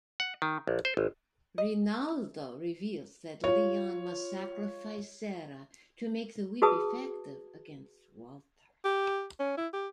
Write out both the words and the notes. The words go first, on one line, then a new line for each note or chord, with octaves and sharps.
Rinaldo reveals that Leon must sacrifice Sara to make the whip effective against Walter.
F#5
D#3
A#1
C5
G#1
D#5
F4 C#5
F#4 G#4 B4 A5 D#6
G4
C#4
E4
G4